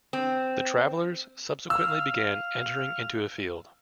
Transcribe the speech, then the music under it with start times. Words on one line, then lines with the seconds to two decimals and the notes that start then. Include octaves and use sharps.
The travellers subsequently began entering into a field.
0.13 C4
1.70 F5 E6